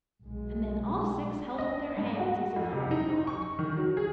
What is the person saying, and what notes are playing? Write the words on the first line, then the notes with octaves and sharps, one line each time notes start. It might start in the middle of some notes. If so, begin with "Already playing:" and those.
And then all six held up their hands as if horrified.
B1 G#3
D#5
G#2
F#4
F2
C3
D#4
C#6
D#3
F#3
G#4